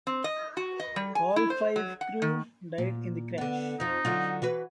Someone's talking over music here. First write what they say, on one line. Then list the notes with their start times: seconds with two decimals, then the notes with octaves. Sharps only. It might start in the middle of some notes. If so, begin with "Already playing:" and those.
All five crew died in the crash.
0.07 C4
0.24 D#5
0.57 F#4
0.80 D#5
0.96 G3
1.15 G#5
1.36 E4
1.50 C5
1.76 F#3
2.01 F#5
2.22 D#3
2.78 A#2
3.38 D3 B3
3.80 F2 F3 D#4
4.05 D3 F#3 F4
4.42 E3 F#4 B4